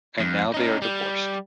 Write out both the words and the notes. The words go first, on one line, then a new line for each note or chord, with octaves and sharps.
And now they are divorced.
F2
C#4 D#4
G3